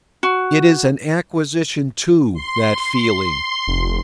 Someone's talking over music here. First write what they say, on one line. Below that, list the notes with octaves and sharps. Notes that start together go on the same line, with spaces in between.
It is an acquisition, too, that feeling.
F#4
C6
F1